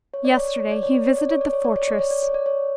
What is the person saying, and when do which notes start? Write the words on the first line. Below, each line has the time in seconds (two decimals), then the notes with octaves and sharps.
Yesterday he visited the fortress.
0.14 C#5
0.25 D5
0.37 C#5
0.48 D5
0.60 C#5
0.71 D5
0.83 C#5
0.94 D5
1.06 C#5
1.18 D5
1.29 C#5
1.41 D5
1.53 C#5
1.65 D5
1.76 C#5
1.88 D5
1.99 C#5
2.11 D5
2.22 C#5
2.34 D5
2.46 C#5